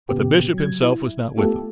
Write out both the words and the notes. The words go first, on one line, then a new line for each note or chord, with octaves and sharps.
But the Bishop himself was not with them.
A#2 C#3 B3 G4
F#3 G#6
E4
A3 B3 F4 G4 A4